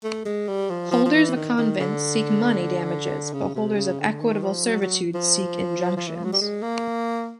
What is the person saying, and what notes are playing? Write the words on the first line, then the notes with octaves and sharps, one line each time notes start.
Holders of a "covenant" seek "money" damages, but holders of "equitable servitudes" seek "injunctions".
A3
G#3
G3
F3
F3
F3
E3
D#3
D#3
D3
C#3
C3
C#3
D3
D#3
F3
F#3
F#3
F3
F3
E3
F3
F#3
G3
G#3
A#3